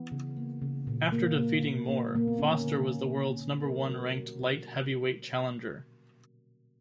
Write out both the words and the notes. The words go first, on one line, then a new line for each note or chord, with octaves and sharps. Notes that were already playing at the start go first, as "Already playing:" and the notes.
After defeating Moore, Foster was the world's number one ranked Light Heavyweight challenger.
Already playing: E3 B3
C#3
A#3
C#3
A#2
A#3
A#3
A#3
A#3
A#2 A#3
B3
D3 C#4
D3
D3
A#3
D3
F#3 A#4
G4
G3 F#4
B2
B2